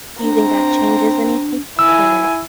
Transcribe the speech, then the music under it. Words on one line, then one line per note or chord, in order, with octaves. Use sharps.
Do you think that changes anything, or
C4 D4 A#5
E4 G#5 E6